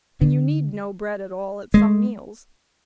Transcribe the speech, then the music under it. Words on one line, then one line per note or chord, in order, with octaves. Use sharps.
And you need no bread at all at some meals.
D3
G#3